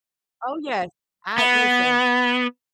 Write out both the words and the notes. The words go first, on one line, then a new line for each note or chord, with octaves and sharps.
Oh, yes. I listen,
B3